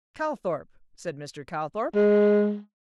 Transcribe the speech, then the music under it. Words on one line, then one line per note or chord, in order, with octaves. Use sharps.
"Calthorp," said Mr. Calthorp.
G#3